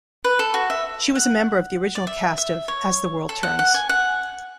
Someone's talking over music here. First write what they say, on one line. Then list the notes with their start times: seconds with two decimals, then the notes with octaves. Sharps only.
She was a member of the original cast of "As the World Turns".
0.24 B4
0.39 A4
0.54 F#4
0.70 E5
1.15 F#5
1.95 D5
2.07 E5
2.38 E5
2.68 C#5
3.29 A4
3.43 F#5
3.59 F#5
3.74 G#5
3.89 F#5